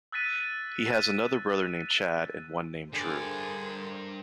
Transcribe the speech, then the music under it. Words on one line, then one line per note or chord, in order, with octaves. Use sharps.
He has another brother named Chad and one named Drew.
E6 F#6 A6 B6 D#7
G2 D3 G#4 A#4 C5 D5